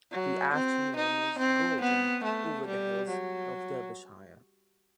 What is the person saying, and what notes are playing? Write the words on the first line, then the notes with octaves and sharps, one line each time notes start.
The afternoon was golden over the hills of Derbyshire.
F#3
C4
D#4
C4
B3
A3
G3
F#3